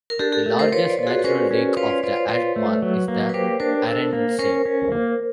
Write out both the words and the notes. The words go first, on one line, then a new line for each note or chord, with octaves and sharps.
The largest natural lake of the Altmark is the Arendsee.
A#4
D4 G4 A4
G4 A4
A3
A#4 C5
F4 B4 C#5
C5 D5
F4 A4
F#4 G#4
B4
C#4 A#4 C5
C#4
F4 B4 C#5
C5 D5
F4 C5 D5
C5 D5
F4 B4 C#5
A3
F#3
A#3
B4
G4 A#4 C5
D4 A#4 C5
A4
A#3
C#4 A#4 C5
C#4
A#3